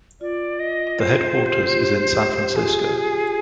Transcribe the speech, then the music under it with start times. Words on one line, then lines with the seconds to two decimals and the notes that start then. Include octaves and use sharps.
The headquarters is in San Francisco.
0.21 F4 D5
0.60 D#5
0.99 F4 C5
1.38 G4
1.52 F4
1.65 G4
2.47 G4
2.55 F4 G#4